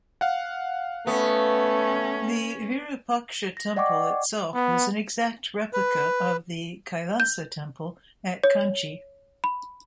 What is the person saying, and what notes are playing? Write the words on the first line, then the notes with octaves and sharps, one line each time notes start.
The Virupaksha temple itself is an exact replica of the Kailasa temple at Kanchi.
F5 F#5
A3 B3 C#4
A#6
D5 D#5 F#5 G5 C#6 D6
B3
B4
G6
C#5
B5